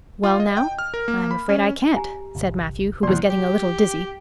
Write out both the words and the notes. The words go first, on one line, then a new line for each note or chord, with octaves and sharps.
"Well now, I'm afraid I can't," said Matthew, who was getting a little dizzy.
F4
D#5
G5
F6
A#4
A#3
B5
C#4
G4 G#5 A#5
G1 C2
E2 C3 G3 A#3 D5 C6 C#6
G4